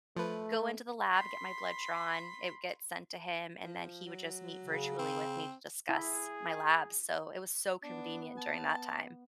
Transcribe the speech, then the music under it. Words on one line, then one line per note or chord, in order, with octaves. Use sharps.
go into the lab, get my blood drawn, it would get sent to him, and then he would just meet virtually with me to discuss my labs, so it was so convenient during that time.
F3 A3 B4
B5 C6
F3
F#3
C#3
C4
E4 G#4
B3 D4
A5